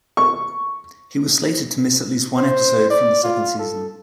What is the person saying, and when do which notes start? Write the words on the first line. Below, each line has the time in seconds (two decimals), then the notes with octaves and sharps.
He was slated to miss at least one episode from the second season.
0.17 C#6
2.37 C5
2.90 D5
3.24 F4
3.59 A4